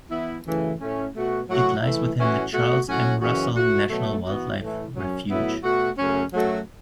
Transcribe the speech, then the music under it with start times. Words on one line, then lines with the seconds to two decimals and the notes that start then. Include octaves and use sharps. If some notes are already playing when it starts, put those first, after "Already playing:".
It lies within the Charles M. Russell National Wildlife Refuge.
0.10 E3 B3 E4
0.45 F#2 C#3 E3 A3
0.80 A2 A3 C#4
1.15 B2 A3 F#4
1.48 A2 F#3 A3 F#4
1.83 E3 A3 E4
2.18 A2 E3 C#4 F#4
2.52 B2 A3 F#4
2.87 A2 F#3 C#4 F#4
3.21 F#2 C#3 E3 C#4 F#4
3.56 A2 A3 F#4
3.90 B2 F#3 A3
4.25 E3 B3 F#4
4.58 A2 E3 A3 E4
4.94 F#2 F#3 C#4
5.28 A2 F#3 B3 E4
5.63 B2 A3 F#4
5.97 F#2 C#3 A3 C#4
6.32 F#2 F#3 A3 F#4